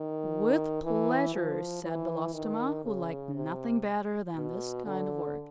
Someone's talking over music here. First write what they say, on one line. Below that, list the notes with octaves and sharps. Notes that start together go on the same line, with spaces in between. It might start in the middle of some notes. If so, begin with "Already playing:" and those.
"With pleasure," said Belostoma, who liked nothing better than this kind of work.
Already playing: D#3
E3
F3
E3
D#3
C#3
C3
B2
D3